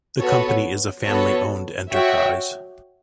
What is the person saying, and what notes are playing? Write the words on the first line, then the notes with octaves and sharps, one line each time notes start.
The company is a family-owned enterprise.
B3 F#4 A4 C#5
B3 F#4 A4 C#5
F#4 C#5 E5 G5